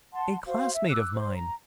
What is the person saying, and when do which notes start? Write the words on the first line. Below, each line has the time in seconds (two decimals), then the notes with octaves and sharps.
"A classmate of mine."
0.13 F#5 A5 C6
0.46 F#4 C5 F5
0.73 E5
0.90 D6 E6 F#6
1.14 C5
1.34 A#5